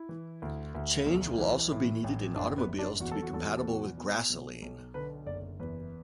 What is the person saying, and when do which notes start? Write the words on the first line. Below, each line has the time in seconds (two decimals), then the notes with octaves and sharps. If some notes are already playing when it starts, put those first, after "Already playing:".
Change will also be needed in automobiles to be compatible with grassoline.
Already playing: E4
0.09 E3
0.42 D2
0.75 D2
1.06 B1
1.38 E3
1.72 A2
2.04 A1
2.36 F#1 D4
2.58 B3
2.68 F#1
2.79 D4
3.00 E2 F#4
3.12 A4
3.22 F#4
3.33 E2 A4
3.46 F#4
3.57 A4
3.65 B2 F#4
3.98 B2
4.30 B1
4.62 B1
4.94 D3 B4
5.26 F#1 D5
5.60 E2 B4